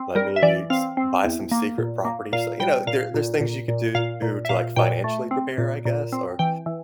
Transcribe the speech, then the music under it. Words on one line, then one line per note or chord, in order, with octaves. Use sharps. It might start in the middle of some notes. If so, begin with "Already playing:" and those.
let me s buy some secret properties, l you know, there there's things you could do to, like, financially prepare, I guess? Or,
Already playing: C4
G3 A#4
E5
E3 D5
C4 F5
C4
E2
A#3
A#2
A#3
A#2 F5
G3 G5
A#2 F5
A#2
A#2
A#2
A#2 F5
A#2
E5
A#2 F5
A#2 G5
A3
C4
A#2
A#2
C4
E3 G5
E3